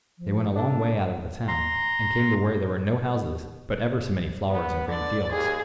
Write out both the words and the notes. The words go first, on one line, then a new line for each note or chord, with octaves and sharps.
They went a long way out of the town, and came to where there were no houses, but ever so many flowers and green fields.
F3
D4 A4
A#5 C6
B3
D3 D5
D#2 G#4